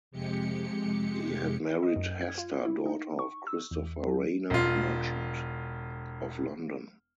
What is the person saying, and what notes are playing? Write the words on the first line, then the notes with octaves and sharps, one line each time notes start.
He had married Hester, daughter of Christopher Rayner, merchant, of London.
F2 C3 G#3 G4 C#7
D#5
F#2
G#6
F4
E4
D#4
C#6
E6
E2
F#3
E1 F4